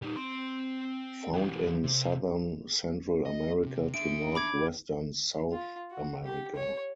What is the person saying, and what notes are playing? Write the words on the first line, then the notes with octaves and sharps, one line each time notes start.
Found in Southern Central America to northwestern South America.
G3 D#4
C4 C6
E3 G4
C3
D#5
D#2 C3
D4 E5 D7
B5 D6 G#6
F4
F#4
G4
C#5